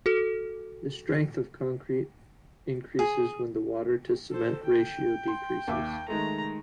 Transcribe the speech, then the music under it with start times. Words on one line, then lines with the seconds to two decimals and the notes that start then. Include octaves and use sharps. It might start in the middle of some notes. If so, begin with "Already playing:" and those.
The strength of concrete increases when the water to cement ratio decreases.
0.06 F#4 A4
2.99 G#4
4.31 A4 C5
4.64 G5
5.28 C6
5.68 D#2 E5 D6
6.08 D#3 G#3 A3 A#5